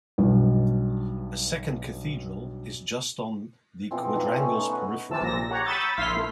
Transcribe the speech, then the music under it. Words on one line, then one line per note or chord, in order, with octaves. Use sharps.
A second cathedral is just on the Quadrangle's periphery.
B1 G2
B2 E3 F3 C4
D#4 D5 F5
E3 A3 C#4
B3 D#4
F#4 B4 F#5
C3 D#3 E3 A5 E6
A#1 A#2 A#6
G4 C#5 F#5 A#5
B5 C#6 D#6 E6 G6 A6
A#1 E4 C6 F6 B6
A3